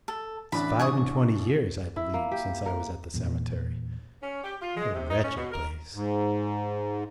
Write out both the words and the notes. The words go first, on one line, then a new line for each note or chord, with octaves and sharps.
It's five-and-twenty years, I believe, since I was at the cemetery; what a wretched place!
A4
A1 D4 E4 B4 B5
G#5 C#6 D#6
E4
A#3
G4
A#4
E2 A#2
C#4
G4
F4
G#3
C3
D#4
C#4
B2
A#4
G#2